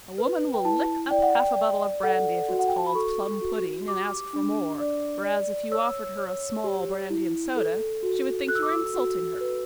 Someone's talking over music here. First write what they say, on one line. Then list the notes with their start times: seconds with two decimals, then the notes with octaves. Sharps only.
"A woman will lick up half a bottle of brandy if it's called plum-pudding, and ask for more, whereas if you offered her a small brandy-and-soda, she would think you were insulting her."
0.18 B4
0.54 G5
0.65 E4 A5
1.11 D5 G5
1.22 F#5
1.34 G5
1.56 D5
2.03 A4 F#5
2.49 F#4
2.59 F#5
2.68 G5
2.77 A5
2.86 B5
2.95 A4 C#6
3.41 F#4
3.87 G4 D6
4.33 D4
4.80 D5
5.26 D5
5.72 C#5 E6
6.18 C#5
6.64 G4
7.10 E4
7.56 A4
8.03 F#4
8.48 A4 F#6
8.55 E6
8.63 D6
8.69 E6
8.94 F#4
9.41 B4